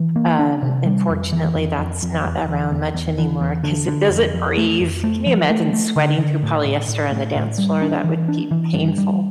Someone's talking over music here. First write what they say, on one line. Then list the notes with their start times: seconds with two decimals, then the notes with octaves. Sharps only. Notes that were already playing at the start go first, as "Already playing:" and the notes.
Um, unfortunately, that's not around much anymore 'cause it doesn't breathe. Can you imagine sweating through polyester on the dance floor? That would be painful.
Already playing: E3
0.16 A#3
0.39 D4
0.63 C3
0.86 G3
1.10 F2
1.32 E3
1.55 F2
1.78 F2
2.02 F2
2.25 E2
2.49 E2
2.72 E2
2.95 E2
3.18 E3
3.41 E2
3.64 D3
3.88 D3
4.10 F2
4.34 F2
4.57 A3
4.80 F2
5.04 A3
5.26 F3
5.50 A3
5.73 A3
5.96 D3
6.19 D3
6.43 A2
6.65 A2
6.88 A2
7.12 A2
7.36 A2
7.58 G3
7.82 D4
8.04 E3
8.28 D4
8.51 E3
8.74 G2
8.98 G3